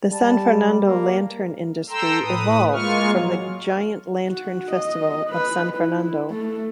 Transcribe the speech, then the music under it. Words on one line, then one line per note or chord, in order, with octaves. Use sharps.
The San Fernando lantern industry evolved from the Giant Lantern Festival of San Fernando.
G3 A5
A#3
A4 G5 A#5 C6 E6
A2 B4 D#6
G#3 A#3 F4 C#6 F6
F#3
F#4
D#5
B4
E4
A3